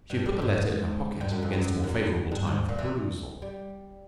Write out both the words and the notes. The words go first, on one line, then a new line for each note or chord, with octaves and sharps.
She had put the letter in her pocket against a more favourable time for perusal.
G2
A2
G#2
G2
F#2
F2
F#2
F#2
G2
G#2
A#2
E3
G3